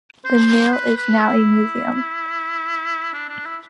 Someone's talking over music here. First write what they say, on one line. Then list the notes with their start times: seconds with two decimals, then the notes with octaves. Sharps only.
The mill is now a museum.
0.25 C5
0.73 B4
0.97 B4
1.20 E4
3.14 D4
3.29 D4
3.46 E4